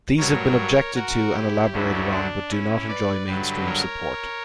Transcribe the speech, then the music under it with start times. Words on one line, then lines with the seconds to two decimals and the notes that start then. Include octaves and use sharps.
These have been objected to and elaborated on but do not enjoy mainstream support.
0.18 G2 F#3 A#4 C#5
0.95 F#4 A#4
1.34 E4 G4
1.73 D2 D3 F#3 C#4 E4
2.11 D4
2.50 C#4 E4
2.89 B4 D5
3.27 G2 D3 F#3 G4 B4
3.66 A#4 C#5